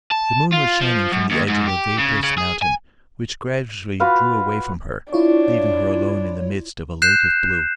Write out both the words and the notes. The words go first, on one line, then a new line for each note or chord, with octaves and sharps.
The moon was shining from the edge of a vaporous mountain, which gradually drew away from her, leaving her alone in the midst of a lake of blue.
A5
F4
F3
F#2
D#2
G#2
G4
C#3
C#3
G#4
G#5
F4 F#4 B4 F5
D4 E4 F4 C#5
F#6 G6 C7 E7